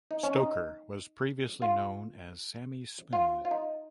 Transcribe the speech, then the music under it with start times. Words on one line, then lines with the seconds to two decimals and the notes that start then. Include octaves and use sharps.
Stoker was previously known as Sammy Smooth.
0.11 D#4
0.23 C#4
0.36 D#4
1.62 F4
3.13 F4
3.45 F4
3.51 D#4